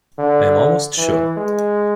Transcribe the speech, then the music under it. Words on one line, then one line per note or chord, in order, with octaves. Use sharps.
I am almost sure.
D3
E3
G#3